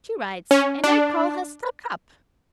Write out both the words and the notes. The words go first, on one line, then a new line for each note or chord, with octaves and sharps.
"She writes; and I call her stuck up."
C#4
D4